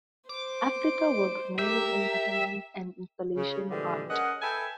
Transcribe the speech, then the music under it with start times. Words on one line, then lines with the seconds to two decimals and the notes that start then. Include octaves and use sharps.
Afrika works mainly in performance and installation art.
0.29 C5 D6
1.59 G4 A#4 E5
3.36 C#3
3.70 A#2 D3 E3 F3 G3 G#3
4.10 C#4 G#4 A#4 D#5 F#5
4.42 A4 B4 E5 G5 G#5